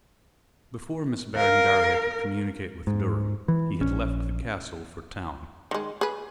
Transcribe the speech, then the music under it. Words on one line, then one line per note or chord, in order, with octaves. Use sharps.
Before Miss Berengaria could communicate with Durham, he had left the castle for town.
A#4 F5
G#2
E3
A#1 C#4
D#3 G#3
G#4 B4